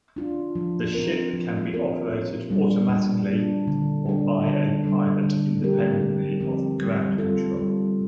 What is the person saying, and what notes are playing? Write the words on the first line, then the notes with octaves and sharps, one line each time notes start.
The ship can be operated automatically, or by a pilot independently of ground control.
D4 F4
F3
C4 F4 A#4
F3
C4 F4 A#4
A#2
G3 D4
A#2
G3 D4
D3
G3 D4
D3
G3 D4
D3
F3 C4 G4 A#4
D3
F3 C4 G4 A#4
G3
C4 F4 A4
G3